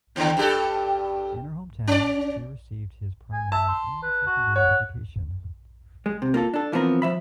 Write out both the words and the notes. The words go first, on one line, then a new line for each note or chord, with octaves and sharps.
In her hometown she received his primary and secondary education.
D#2 D3
G2 G4 A4
C#4 D5
G#5
E5 A5
C6
B4
F#4
C#5 F#5
G#3
C3
A#3 F4 A4
D4 A4
E3 F3 B3 C4 A#4
F3 E5 B5